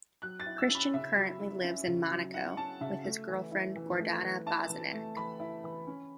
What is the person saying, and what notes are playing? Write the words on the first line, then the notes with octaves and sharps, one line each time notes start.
Christian currently lives in Monaco with his girlfriend Gordana Bosanac.
F#3 F#6
A6
E4
E6
C#4 B5
C#3 E5
F#3
E4
C#4
C#3
F#3
E4 F#5
C#4 A5
C#3 E5
A3
E3
E4
E3
A3
E3
E4 A5
E3
A3
E3 B5
E4
E3
C#4